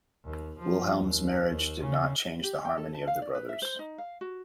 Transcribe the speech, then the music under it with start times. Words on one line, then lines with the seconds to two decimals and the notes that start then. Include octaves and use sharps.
Wilhelm's marriage did not change the harmony of the brothers.
0.25 D#2
0.59 F3
0.99 D#2
1.48 D#2
1.80 C#3
2.44 G4
2.65 G5
2.77 A4
2.94 A5
3.07 F5
3.22 D5
3.35 B4
3.49 E5
3.62 C5
3.79 D#4
3.98 F5
4.21 F#4